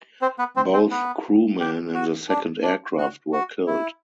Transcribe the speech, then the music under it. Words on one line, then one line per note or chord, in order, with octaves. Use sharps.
Both crewmen in the second aircraft were killed.
C4 C5
B3 B4
C4 C5
C4 C5
B3 B4
G4
F#4
D4
D4
F#4
F#4
E4